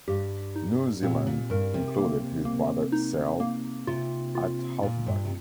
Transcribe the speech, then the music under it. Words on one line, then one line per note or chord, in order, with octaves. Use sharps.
New Zealand included his brother Sel at halfback.
G2 G4
D#4
A#2 C4
A#2
G2 A#4
C3
A#3
A#3
D#4
A#3
C3 F4
F4
A#2 F4
G2
C3